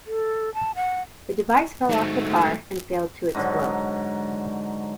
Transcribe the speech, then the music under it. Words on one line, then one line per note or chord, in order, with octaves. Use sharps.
The device fell off the car and failed to explode.
A4
A5
F#5
G#2 F#3 A3
G#2 D3 F#3